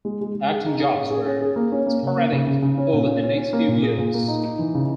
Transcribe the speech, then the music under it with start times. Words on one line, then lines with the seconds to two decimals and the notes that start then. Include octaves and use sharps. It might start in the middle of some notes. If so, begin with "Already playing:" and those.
Acting jobs were sporadic over the next few years.
0.05 G#3
0.21 G#3
0.35 G#3
0.51 G#4
0.66 D#4
0.80 G#4
0.96 C#4
1.11 G#4
1.26 C#4
1.41 G#4
1.56 A#3
1.72 C#4
1.87 A#3
2.02 C#3
2.17 A#3
2.32 C#3
2.47 C#3
2.62 C#3
2.78 C#4
2.93 A#2
3.07 C#4
3.23 C#4
3.37 C#4
3.53 A#3
3.68 A#2
3.83 G#4
3.98 A#2
4.14 A#3
4.28 D#4
4.44 D#4
4.59 E3
4.74 C#3